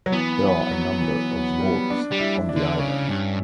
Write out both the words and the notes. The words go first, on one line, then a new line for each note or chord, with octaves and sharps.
There are a number of walks on the island.
F#3
E3 B3
F#3
F#3
E3
E3
F#3
G3
D4
G3
E4
D4
D3
C#3 C#4
G2